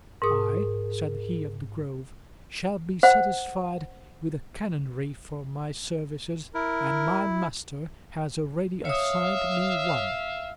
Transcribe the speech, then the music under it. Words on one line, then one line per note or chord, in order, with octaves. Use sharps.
"I," said he of the Grove, "shall be satisfied with a canonry for my services, and my master has already assigned me one."
G#2 G#4 A#4 D#6
C5 F#5
E4 A#4
C#5 E5 F5 D#6